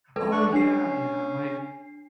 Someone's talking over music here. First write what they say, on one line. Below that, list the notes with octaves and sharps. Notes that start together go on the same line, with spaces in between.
Oh, yeah, yeah, my
G#3 A4 B4
D4 F#5 C#6
C#4 D4 C7